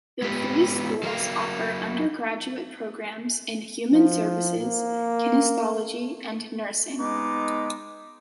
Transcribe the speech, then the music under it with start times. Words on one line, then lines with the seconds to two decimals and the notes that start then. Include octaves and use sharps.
The three schools offers undergraduate programs in human services, kinesiology, and nursing.
0.22 G#3 B3 G4 B4
1.03 F#3 A#4 F5
3.92 F3
4.61 A#3
7.00 G#3 B3 D#4 D6